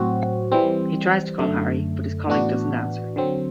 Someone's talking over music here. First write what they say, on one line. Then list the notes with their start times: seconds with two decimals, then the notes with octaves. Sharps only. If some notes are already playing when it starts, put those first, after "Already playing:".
He tries to call Harry, but his colleague doesn't answer.
Already playing: A2 F#3 C4 F#4
0.52 E3 G3 C4
1.39 F#2 D3 A3
2.27 A2 E3 B3 D4 F#4
3.16 D3 F#3 C4